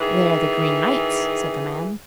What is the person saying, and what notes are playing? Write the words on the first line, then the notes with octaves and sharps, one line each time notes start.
'They are the Green Knight's,' said the man.
D#3 E3 G#4